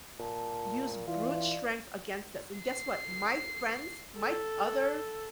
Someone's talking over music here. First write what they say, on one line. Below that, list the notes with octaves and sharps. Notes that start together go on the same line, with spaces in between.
use brute strength against us, and guess what? My friends, my other
A#2 A5
E3 F4 D5
C7
A4